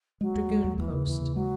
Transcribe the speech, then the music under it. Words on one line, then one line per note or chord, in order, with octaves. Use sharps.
Dragoon post.
F#3 G#3
D#2
G#3
D#2
D#2 E3
C#3
D#2 E3
C#3
F#3 G#3